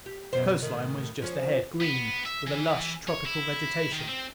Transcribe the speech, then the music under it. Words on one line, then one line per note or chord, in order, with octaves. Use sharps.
The coastline was just ahead; green with a lush, tropical vegetation.
G4
F#2 B2 C5
A2 D#3
F3 C#4
B3
E5
E3
C#5
E4
D#3
C4